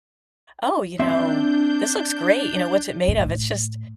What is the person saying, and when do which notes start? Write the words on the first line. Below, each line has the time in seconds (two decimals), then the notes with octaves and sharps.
"Oh, you know, this looks great, you know, what's it made of?" It's just,
0.99 C4 D4 E5 G6
3.08 A2